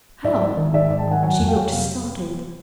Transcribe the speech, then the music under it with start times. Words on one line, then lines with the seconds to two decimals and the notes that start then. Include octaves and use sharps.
"How?" She looked startled.
0.24 G#2 D5 E5
0.42 G#2
0.57 D#3
0.73 G#2 D5 E5
0.90 G#2
0.98 G5 A5
1.07 D#3 F#5 G#5
1.23 F#3 F#5 G#5
1.40 F2
1.48 F5 G5
1.57 F#3
1.72 C3 F5